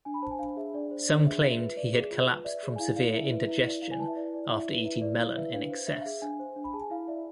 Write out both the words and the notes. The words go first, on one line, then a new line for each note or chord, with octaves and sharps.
Some claimed he had collapsed from severe indigestion after eating melon in excess.
D4 G#5
B5
C5 A5
G#5
D4 F5
G#4 E5
D4 D5
C5
D4 D5
G#4 E5
F4 E5
B4
D5
G#4
F4
B4
D5 E5
G#4
G#5
E4 F5
D5 F5
E4 E5
B4 E5
E4 E5
D5
E4 F5
G#5
B4 A5
E5
E4 D5
D5
E4 E5
B4
E4 E5
D5
E4 F5
B4 E5
D4 F5
C5
D4 E5
F5
G#4 E5
D4 G#5
C5
D4
B5
G#4 A5
G#5
E4 F5
D5 E5